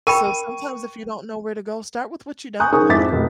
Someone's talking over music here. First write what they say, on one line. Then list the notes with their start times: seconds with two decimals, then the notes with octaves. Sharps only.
So sometimes if you don't know where to go, start with what you don't want.
0.07 A#4 G5 B5 C#6 D#7
2.60 G#5 A#5 C#6 D#6 F#6 G6
2.73 D#4 G#4 A#4 G#5 C#6 D#6
2.89 F2 G#2 E4 D6 A6 B6
3.12 F1 B1